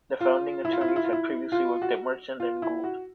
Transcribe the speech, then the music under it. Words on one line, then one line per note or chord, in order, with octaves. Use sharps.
The founding attorneys had previously worked at Merchant and Gould.
F4
E4
F4
E4
F4
E4
F4
E4
F4
F#4
F4
E4
F#4